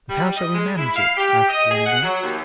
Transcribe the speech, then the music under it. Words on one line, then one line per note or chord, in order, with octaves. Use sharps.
'But how shall we manage it,' asked one of them.
G3
G3
D#5
G#3
E4
F5
G4
D#5
G#4
F#5
F#3
D#2